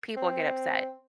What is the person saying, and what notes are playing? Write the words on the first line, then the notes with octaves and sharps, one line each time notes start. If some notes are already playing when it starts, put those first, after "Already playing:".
people get upset.
C4